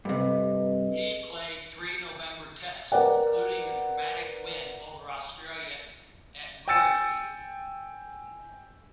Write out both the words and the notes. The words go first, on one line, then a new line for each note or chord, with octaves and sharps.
He played three November Tests, including a dramatic win over Australia at Murrayfield.
G2 C3 A4 B4 D#5
A#4 B4 D5 F#5
G5 G#5 E6 A6 C#7 E7